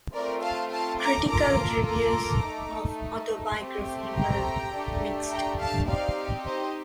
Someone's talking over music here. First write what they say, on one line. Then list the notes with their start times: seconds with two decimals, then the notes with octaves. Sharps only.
Critical reviews of "Autobiography" were mixed.
0.13 A3 C4 F4 A#4 D5
0.42 F5 A5
0.71 F5 A5
1.00 A#5 D6
1.28 A#3 F4 A4 A#5 D6
1.86 A#5 D6
2.44 A3 D#4 A4
3.58 A3 C4 G4
4.15 G5 A#5
4.73 A3 D4 G4
5.30 G5 A#5
5.59 F5 A5
5.87 C4 D#4 G4 D5 F5
6.46 C5 D#5